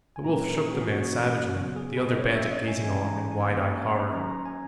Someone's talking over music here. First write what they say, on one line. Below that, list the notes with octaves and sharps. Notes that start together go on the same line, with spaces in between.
The Wolf shook the man savagely, the other bandit gazing on in wide-eyed horror.
G#5
A#2 F#3 A#3 C#4 A#5
B4
A#4
G#4
F#4
G#4
E3 A#3 C#4 F#4
C#3 F#3 B3
G#4
B4
D#5
B2 A#3 C#4 C#5
E5
D#5
G#5
E3 G#3 C#4 G#5
A#5
G#5
D#3 A#3 C#4
D#3 F#3 C#4 A#5
A#5
G#5